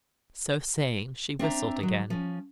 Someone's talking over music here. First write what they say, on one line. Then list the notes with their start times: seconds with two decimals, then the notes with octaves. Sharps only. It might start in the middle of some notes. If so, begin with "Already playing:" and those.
So saying, she whistled again.
1.39 C4 D4 E5 A#5
1.81 D#3 F#3
2.10 F3 C#4